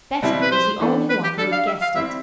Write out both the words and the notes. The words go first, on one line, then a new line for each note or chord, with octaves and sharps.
Betty was the only one who had guessed it.
B2 G3 C4 E4
B4
C5
E3 B3 D4 A4
B4
G4
G3 D4 G4 A4
F5
E5
F5
G3 C4 E4 E5